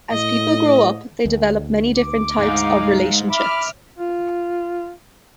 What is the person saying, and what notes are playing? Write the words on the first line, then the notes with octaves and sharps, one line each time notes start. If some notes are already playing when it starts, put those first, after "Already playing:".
As people grow up, they develop many different types of relationships.
A2 D#5
D2
D6
G#2 D#4 F5
E5 B5 D6 F6
F4